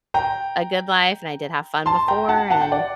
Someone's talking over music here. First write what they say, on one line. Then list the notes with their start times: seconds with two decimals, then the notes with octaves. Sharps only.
a good life, and I did have fun before. And
0.14 G5 A#5
1.86 A5 C6
2.08 G5 A#5
2.29 F#5 A5
2.50 F#5 A5
2.61 G5
2.72 D5 F#5